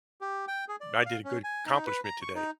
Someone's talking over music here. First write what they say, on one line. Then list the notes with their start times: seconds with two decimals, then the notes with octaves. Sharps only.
I did a good accomplishment today."
0.21 G4
0.48 G5
0.68 G#4
0.81 D5
1.06 F5
1.24 C#4
1.44 G#5
1.66 D#4
1.86 B4
2.04 A#5
2.22 C#6
2.35 D#4